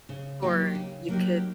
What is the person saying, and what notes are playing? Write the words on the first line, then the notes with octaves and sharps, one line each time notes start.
Or you could
C#3
F#3 A#3 D#4 G4
C#3
F#3 A#3 D#4 G4